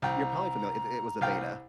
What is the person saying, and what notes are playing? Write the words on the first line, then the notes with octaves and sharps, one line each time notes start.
you're probably famil it was Aveda.
C2 G5 A#5
C2 F5 G5